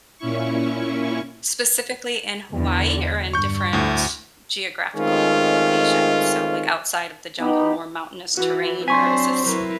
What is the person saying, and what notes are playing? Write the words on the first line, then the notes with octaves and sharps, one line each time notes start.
Specifically in Hawaii or in different geographical locations? So, like, outside of the jungle, more mountainous terrain, or is this
A#2 C#4 E4 C#6
E2 D3
G2 C#6 G6
D2 A2
D#3 G#3 A3 C4 C#4 F4
B3 D#4 G4
E3 F#4
F#3 C4 D4 C5 G#5 C6 C#6 B6
F#3 E4 A#4 B4